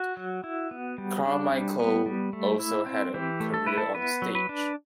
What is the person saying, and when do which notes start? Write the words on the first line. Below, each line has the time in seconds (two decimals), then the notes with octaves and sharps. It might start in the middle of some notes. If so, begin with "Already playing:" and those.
Carmichael also had a career on stage.
Already playing: F#4
0.17 F#3
0.44 E4
0.71 B3
0.98 G3
1.25 D4
1.52 G3
1.80 B3
2.06 G3
2.33 A3
2.60 E4
2.86 C4
3.14 E3 G4
3.40 A3
3.54 A4
3.66 E4 B4
3.78 A4
3.95 B3 B4
4.22 F#3
4.35 B4
4.49 D4